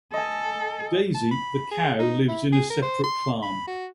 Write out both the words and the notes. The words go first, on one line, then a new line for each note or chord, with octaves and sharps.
Daisy, the cow lives in a separate farm.
A4 D#5 G#5
A5
B5
G#4
D#4
E4
G#4
A#4
C5
C6
B5
F#4